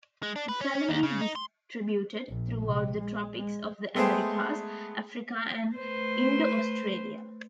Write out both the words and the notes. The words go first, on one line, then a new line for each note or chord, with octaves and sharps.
The family is distributed throughout the tropics of the Americas, Africa and Indo-Australia.
G#3
D4
B4
C#4
C#4
D#2
C#3
D#4
C6
A#1
C3
G#3
G#3
G#3 A3 B3 G#4 C5 G5
A3 B4 C5